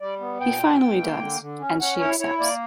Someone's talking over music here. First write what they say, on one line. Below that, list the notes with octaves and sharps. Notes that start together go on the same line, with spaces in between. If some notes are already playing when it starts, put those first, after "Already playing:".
He finally does and she accepts.
G3 D5
B3
A#2 G5
B2
B2
A#3
D3
D3
C#4
C#4 F#5
E4 C#5
E4 C#5
A#3 D5